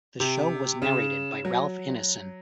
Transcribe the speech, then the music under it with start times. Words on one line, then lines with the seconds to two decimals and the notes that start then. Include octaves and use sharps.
The show was narrated by Ralph Ineson.
0.20 C3
0.82 C#3
1.45 F#3